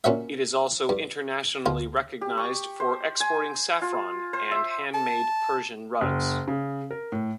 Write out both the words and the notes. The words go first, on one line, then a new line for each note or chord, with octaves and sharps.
It is also internationally recognised for exporting saffron, and handmade Persian rugs.
A#2 C#4 F#4 E5
G2
D2 F4
G4
C#6
C5
G#5
F4
C5
E5
A5
F#1
C#3
A#4
A2